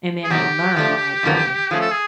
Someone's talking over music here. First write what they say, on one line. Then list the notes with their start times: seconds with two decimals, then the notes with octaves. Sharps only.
and then they learn, like, "Oh"
0.24 G#4
0.30 E2 B2 F#3 G4
0.76 F3 A3 D4
1.23 F#2 D3 F3 A#3
1.70 F3 A3 C#4 G#4
1.81 A4
1.91 G#4